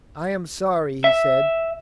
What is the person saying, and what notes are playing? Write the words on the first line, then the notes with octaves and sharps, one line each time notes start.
"I am sorry," he said.
E5